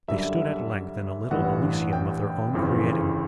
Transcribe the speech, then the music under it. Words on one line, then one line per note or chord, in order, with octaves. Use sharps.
They stood at length in a little Elysium of their own creating.
F#2 D3 G3 E5
A1 G2 E3 G3 F#5
G5
G1 F2 C#3 E3